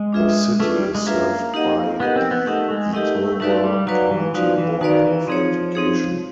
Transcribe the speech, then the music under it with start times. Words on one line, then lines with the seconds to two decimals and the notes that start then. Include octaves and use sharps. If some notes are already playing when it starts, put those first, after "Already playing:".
The city is served by the Etowah County Board of Education.
Already playing: G#3
0.13 D4 F4 G#4 B4 E5
0.60 A3 D4 F4 G#4 B4 E5
0.72 G3
0.95 G#3
1.06 A#3 D4 F4 G#4 B4 E5
1.54 D#4 G4 A#4 D#5 F#5
2.00 B3 D#4 G4 A#4 D#5 F#5
2.16 C4
2.31 B3
2.46 A3 D#4 G4 A#4 D#5 F#5
2.70 G#3
2.93 A3 D#4 G4 A#4 D#5 F#5
3.40 A3 D#4 F#4 B4 D5 F5
3.64 G3
3.87 F#3 D#4 F#4 B4 D5 F5
4.11 E3
4.34 F3 D#4 F#4 B4 D5 F5
4.58 E3
4.81 D#3 D#4 F#4 B4 D5 F5
5.04 E3
5.27 F3 C4 D#4 G#4 C#5
5.75 C4 D#4 G#4 C#5